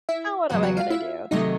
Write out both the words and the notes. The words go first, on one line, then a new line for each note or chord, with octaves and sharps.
“Now, what am I gonna do?"
E4 E5
E2 C#3 F#3 F#4 F#5
F#4 F#5
F4 F5
E4 E5
C3 D#3 F#3 A3 D#4 D#5